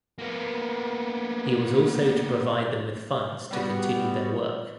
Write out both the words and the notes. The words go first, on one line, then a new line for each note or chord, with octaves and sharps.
He was also to provide them with funds to continue their work.
A#3 B3
G3 B3 F#4